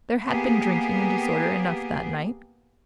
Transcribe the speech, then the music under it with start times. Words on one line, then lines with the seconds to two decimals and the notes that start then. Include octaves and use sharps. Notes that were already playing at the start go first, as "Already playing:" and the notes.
There had been drinking and disorder enough, that night....
0.25 A#3 B3 G4 G#4